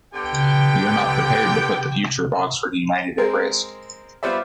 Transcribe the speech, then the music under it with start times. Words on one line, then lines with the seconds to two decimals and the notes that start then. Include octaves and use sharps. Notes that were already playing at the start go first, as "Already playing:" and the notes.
We are not prepared to put the future of Oxford United at risk.
0.14 D3 B3 G4 G5
3.18 G#3 C4 A#4
4.23 G3 B3 F4 C5 D5 E5